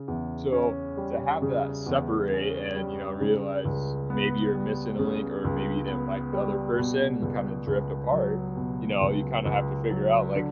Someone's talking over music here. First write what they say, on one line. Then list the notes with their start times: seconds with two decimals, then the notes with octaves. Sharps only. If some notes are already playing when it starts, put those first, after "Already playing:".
So to have that separate and, you know, realize maybe you're missing a link or maybe you didn't like the other person, you kinda drift apart. You know, you kinda have to figure out, like,
Already playing: C#3
0.08 E2
0.53 C#4
0.97 G3
1.42 C#3
1.86 E2
2.32 C#4
2.76 G3
3.21 C#3
3.65 C#2
4.10 B3
4.54 G3
4.99 C#3
5.45 C#2
5.88 B3
6.33 G3
6.77 B2
7.22 C#2
7.67 C#2
8.12 F#3
8.57 B2
9.01 C#2
9.45 C#2
9.91 F#3
10.36 D3